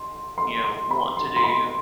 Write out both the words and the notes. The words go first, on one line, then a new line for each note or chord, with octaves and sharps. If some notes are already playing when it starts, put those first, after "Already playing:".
you know, want to do.
Already playing: C6
C6
C6
B5
C6
C6
B5